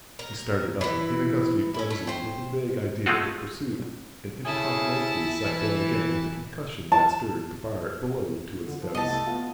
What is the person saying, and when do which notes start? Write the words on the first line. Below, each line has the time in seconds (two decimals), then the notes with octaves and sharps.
He started up in a gusty frenzy with a vague idea of pursuit, and incontinently sat down again with a concussion that stirred the bar below to its depths.
0.19 A#4
0.81 E3 E4
1.74 C#4 E4
1.91 A3
2.07 C5 G5
3.06 G#3 A3 C4 F4 F#4
4.45 C#3 A3 E4 G#4 A5
5.45 E3
6.92 A5
8.66 D3
8.79 F3
8.95 C2 B3 D#5 A5
9.09 A3
9.26 B3 F4